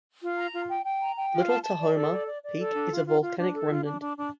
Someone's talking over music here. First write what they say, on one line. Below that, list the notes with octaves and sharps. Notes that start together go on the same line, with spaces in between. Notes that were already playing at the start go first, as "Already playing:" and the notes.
Little Tahoma Peak is a volcanic remnant.
F4
A#5
F4
G5
G5
A#5
G5
F4
A5
A5
D5
A4
D5
D5
D5
A4
D4
F4
F4
F4
D4
A4
F4
D4
D4
D4